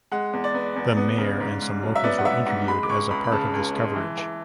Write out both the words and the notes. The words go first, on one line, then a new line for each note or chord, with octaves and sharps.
The mayor and some locals were interviewed as a part of this coverage.
G#3 F#5
E2
D5
B3
E2
B3
C#3
G#2
G#2
F#3
E5
B3 D5
F#5
G#2 E5
G#2 F#5
G#3 B5
D6
C#2 C#6
C#2 B5
B5
C#3 A5
C#2
G#3
E3
E3